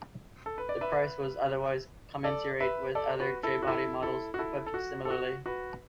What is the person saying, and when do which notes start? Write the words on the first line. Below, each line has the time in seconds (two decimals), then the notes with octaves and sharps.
The price was otherwise commensurate with other J-body models equipped similarly.
0.46 A4
0.58 B4
0.69 D5
0.81 B4 E5
2.24 A4 D5
2.60 B4 E5
2.95 A4 D5
3.20 F#4 B4
3.43 E4 A4
3.62 F#4
3.67 E4 A4
4.03 E4 A4
4.34 F#4
4.39 E4 A4
4.66 A4
4.74 F#4
5.05 A4
5.10 F#4
5.46 F#4 B4